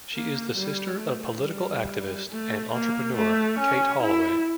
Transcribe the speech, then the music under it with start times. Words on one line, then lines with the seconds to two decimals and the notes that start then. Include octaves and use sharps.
She is the sister of political activist and entrepreneur Kate Holloway.
0.14 A#3
0.57 G3
1.00 A3
1.43 G3
2.29 A3
2.73 A#3
3.16 A3
3.59 C#4
4.02 E4